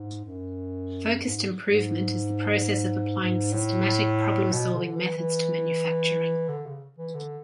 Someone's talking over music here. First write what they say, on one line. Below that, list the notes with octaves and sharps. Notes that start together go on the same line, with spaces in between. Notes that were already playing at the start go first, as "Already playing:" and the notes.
Focused Improvement is the process of applying systematic problem solving methods to manufacturing.
Already playing: G#2
F#2
G#2
G#2
G#2
A2
B2
D3
E3
E3
D3
C#3
E3
D3